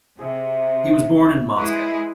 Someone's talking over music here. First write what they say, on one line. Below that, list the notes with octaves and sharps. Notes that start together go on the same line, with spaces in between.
He was born in Moscow.
C3 G#4 E5
G#3 E4 G#4 B4